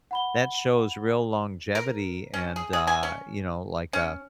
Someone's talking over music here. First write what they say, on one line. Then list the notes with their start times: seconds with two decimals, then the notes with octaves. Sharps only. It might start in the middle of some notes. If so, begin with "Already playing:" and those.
that shows real longevity and, uh, you know, like, uh,
0.11 F#5 B5 G7
1.75 A#4
2.34 C#4
2.56 G#4
2.73 G#4
2.87 G#5
3.03 C#4
3.93 C#4